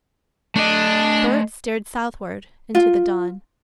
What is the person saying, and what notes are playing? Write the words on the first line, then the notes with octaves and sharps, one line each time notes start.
Bert stared southward into the dawn.
A3 D4 D#5
F4